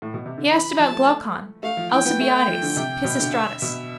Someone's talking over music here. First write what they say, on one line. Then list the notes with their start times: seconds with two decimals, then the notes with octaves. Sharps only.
He asked about Glaucon, Alcibiades, Pisistratus.
0.02 A2
0.14 B2
0.26 C3
0.38 D3
0.49 E3 B5
0.78 F3 A5
0.92 A3
1.63 A3 F5
1.77 F3
1.92 E3 G5
2.05 B3
2.20 A3
2.48 F3
2.62 D3
2.76 C3 G5
3.04 B2
3.19 D3
3.33 E5
3.61 B2 E5